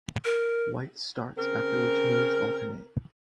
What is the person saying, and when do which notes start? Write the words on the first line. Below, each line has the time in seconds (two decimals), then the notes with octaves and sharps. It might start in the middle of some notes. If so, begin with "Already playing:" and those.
White starts, after which moves alternate.
0.25 A#4
1.38 C#3 C4 A#4